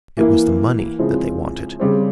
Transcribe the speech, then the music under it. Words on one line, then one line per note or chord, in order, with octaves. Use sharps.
It was the money that they wanted.
E3 A#3 E4
C#3 F3 G#3 C4 E4
C#3 G3 C4